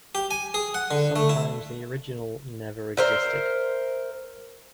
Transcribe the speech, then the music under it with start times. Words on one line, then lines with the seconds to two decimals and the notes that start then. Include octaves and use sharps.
Sometimes the original never existed.
0.15 G4
0.31 G#5
0.54 G#4
0.74 F#5
0.91 D3
1.16 A3
1.30 E4
2.97 A#4 C5 E5